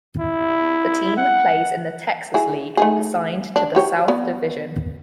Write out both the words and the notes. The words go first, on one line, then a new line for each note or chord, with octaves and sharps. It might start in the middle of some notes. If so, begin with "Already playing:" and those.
The team plays in the Texas League, assigned to the South Division.
E4
F#5
E4 G#4
A3 D#4 G#4
D4
E3 G4 C#5
B3 D5